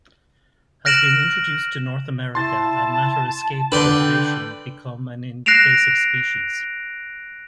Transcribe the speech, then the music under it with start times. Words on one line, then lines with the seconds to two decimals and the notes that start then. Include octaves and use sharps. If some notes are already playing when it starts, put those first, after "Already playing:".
Has been introduced to North America and latter escaped cultivation become an invasive species.
0.85 F6 F#6 A#6 D7 E7 F#7
2.35 E4 A5 C6 A6
3.72 D3 B4 D5 G5 C6 G6
5.46 F#6 A#6 C7 D7 E7 F7